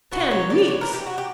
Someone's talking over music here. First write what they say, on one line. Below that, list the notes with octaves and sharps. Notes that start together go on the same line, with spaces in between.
"Ten weeks!"
B2 F#4
F#3 C#5
C#3 D5
E3 C#5
A#4
E3
G4
F#3 F#4
G4